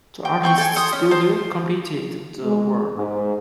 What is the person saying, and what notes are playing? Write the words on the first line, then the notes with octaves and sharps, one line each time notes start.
The artist's studio completed the work.
G5
C4 G5 C#6
A4 G5 G#5
A4 C6 D#6
C#4
C5 A5
G#3
G#2